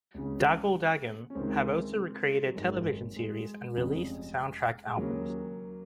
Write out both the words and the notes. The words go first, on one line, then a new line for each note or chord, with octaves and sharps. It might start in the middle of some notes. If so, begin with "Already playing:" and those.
Dagoll Dagom have also created television series and released soundtrack albums.
C#2 C#3
C#4
C#2 C3 D#3 G#3 C4
F#3
G#1 F#2 D#3 G#3
F#3
G#3
F1 F2 C#3
G#3
D#2 C#3 F#3 A#3